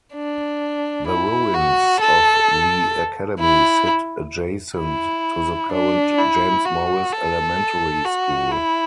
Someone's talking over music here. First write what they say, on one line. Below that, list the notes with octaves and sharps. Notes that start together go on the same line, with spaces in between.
The ruins of the academy sit adjacent to the current James Morris Elementary school.
D4
E4
F#4
A4
E4
E4
D4
E4
F#4
A4
F#4
E4